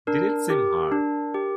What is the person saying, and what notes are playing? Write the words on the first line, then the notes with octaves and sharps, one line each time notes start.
Did it seem hard?
D4 A#4
G4
D4
G4